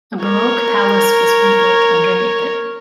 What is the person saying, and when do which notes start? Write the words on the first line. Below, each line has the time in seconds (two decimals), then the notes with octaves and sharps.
A Baroque palace was rebuilt underneath it.
0.23 A#4 C#5